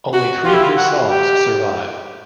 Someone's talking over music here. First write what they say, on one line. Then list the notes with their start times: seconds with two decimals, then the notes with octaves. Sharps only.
Only three of his songs survive.
0.13 F#4
0.45 F4 G4
0.54 E4
0.63 F4
0.77 F#4
1.10 G4